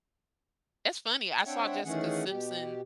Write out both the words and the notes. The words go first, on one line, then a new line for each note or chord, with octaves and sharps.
it's funny, I saw Jessica Simpson,
C4 D4 C#5 E5 F#5 G5
D#3 E3 A3 C#4 G#4 F#5
B2 G4